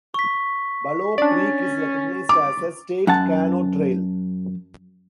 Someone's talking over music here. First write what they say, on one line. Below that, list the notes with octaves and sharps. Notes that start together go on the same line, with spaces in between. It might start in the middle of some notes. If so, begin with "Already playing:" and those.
Bulow Creek is recognized as a State Canoe Trail.
C#6 B6
C#4 D4 D5 A6
D6
F#2 F#5 A5